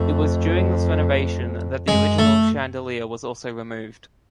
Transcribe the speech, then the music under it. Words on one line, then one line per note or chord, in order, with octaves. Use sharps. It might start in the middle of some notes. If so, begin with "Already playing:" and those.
It was during this renovation that the original chandelier was also removed.
Already playing: F2 A3
F#2 G#3
A3